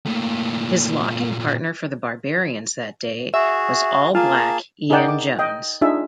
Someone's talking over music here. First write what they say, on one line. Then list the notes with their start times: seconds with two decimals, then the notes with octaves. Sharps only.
His locking partner for the Barbarians that day was All Black Ian Jones.
0.06 A#2 A3
3.34 F#4 G#4 E5
4.15 A#3 F4 G#4 A5
4.90 D#4 G#4 A#4 D5 F#5 G5
5.08 D6
5.39 D#5 G5
5.81 D4 D#4 F4 G#4 E5